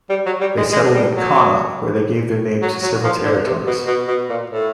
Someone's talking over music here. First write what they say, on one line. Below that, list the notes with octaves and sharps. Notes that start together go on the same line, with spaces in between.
They settled in Connacht, where they gave their name to several territories.
G3
F#3
G3
G#3
G#3
G3
F#3
F#3
F#3
F3
D3
C3
B2
B2
B2
A#2
A2